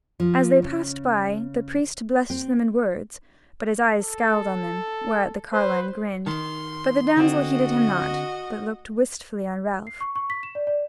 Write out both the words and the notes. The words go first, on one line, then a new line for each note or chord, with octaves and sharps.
As they passed by, the priest blessed them in words, but his eyes scowled on them, whereat the carline grinned, but the damsel heeded him not, but looked wistfully on Ralph.
F3
C#3
C4
A4
B4 C5
D#3 C6
D3 C4 F#4 D#5
C7
C#6
C#6
B6
E7
D5
D5